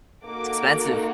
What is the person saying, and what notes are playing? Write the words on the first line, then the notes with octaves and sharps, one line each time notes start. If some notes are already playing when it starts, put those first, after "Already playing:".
It's expensive.
A#3 D#4 F#4 A4 D6